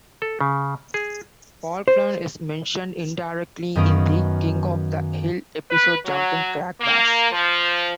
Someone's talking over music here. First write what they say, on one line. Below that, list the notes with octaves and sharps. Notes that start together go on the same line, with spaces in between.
Faulkner is mentioned indirectly in the "King of the Hill" episode "Jumpin' Crack Bass".
A4
C#3
G#4
C5
F#2 D#3 B3 D#5 F5 D7
B4
F#3
A#3
F3